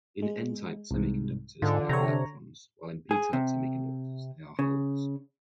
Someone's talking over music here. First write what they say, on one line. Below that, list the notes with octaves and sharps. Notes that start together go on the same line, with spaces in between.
In n-type semiconductors they are electrons, while in p-type semiconductors they are holes.
G#3
C2 G#2
G#2 D3 F4
C3 C#5 A#5
G#4
C3
C#3